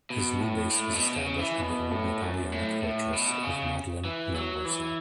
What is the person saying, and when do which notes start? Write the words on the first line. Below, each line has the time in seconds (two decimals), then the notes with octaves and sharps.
His new base was established in the old Napoleonic fortress of Modlin, near Warsaw.
0.10 B2
0.40 A2
0.71 A2
0.93 B2
1.16 C#3
1.39 E3
1.61 B2
1.91 A2
2.22 F#2
2.52 A2
2.82 A2
3.13 B2
3.43 C#3
4.05 E3
4.35 F#3
4.65 E3